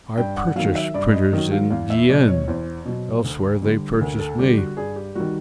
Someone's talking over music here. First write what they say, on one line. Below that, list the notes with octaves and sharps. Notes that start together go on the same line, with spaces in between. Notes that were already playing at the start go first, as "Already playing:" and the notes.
I purchase printers in Guienne; elsewhere they purchase me.
G2 G5
F#5
D#3 F#3 F5
E5
G2 D5
D#5
D#3 F#3 D#5
F5
E2 F5
E5
B2 F#3 D5
C#5
E2 C5
B2 F#3
D2
D3 G3
D2 A#4
A4
D3 G3 G4
F#4
G2 G#4
G4
D#3 G3 F#4